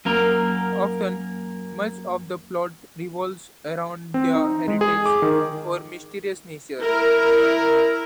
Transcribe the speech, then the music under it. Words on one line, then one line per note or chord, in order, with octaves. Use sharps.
Often, much of the plot revolves around their heritage or mysterious nature.
F#2 A#3 A#4
C4
D#4
G#3
G#4
D6
D#3
E4 A#4